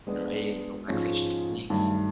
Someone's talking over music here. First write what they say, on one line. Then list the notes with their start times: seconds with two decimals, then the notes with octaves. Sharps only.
You know, any relaxation techniques?
0.07 G#3 B3 D4
0.88 G#2 F3 G#3 C#4
1.70 G2 D#3 F#3 A3